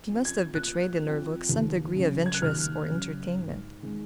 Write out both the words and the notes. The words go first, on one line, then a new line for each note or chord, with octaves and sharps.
She must have betrayed in her look some degree of interest or entertainment.
F3 C4
G#6
A#2 F#6
F3 C4
D#2
C#3 F#3
G#6
F#6
D#2 F6
C#3 F#3
G#2
D#3 G#3